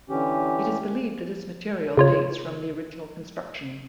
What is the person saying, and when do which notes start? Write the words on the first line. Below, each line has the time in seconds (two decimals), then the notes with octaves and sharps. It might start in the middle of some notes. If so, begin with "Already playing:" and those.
It is believed that this material dates from the original construction.
0.09 D3 E3 C#4 G4
1.97 C#3 F4 C#5